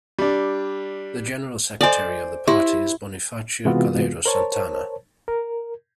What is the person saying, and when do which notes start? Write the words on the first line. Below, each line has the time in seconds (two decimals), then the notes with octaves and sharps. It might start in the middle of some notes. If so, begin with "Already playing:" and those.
The general secretary of the party is Bonifacio Calero Santana.
0.19 G3 D4
1.81 A4 C5 D5 D#5 G#5
2.48 E4 G4 E5 C6
3.65 C3 E3 G#3 B3 F4 F#4
4.26 A#4 C5 C#5 A5
5.28 A#4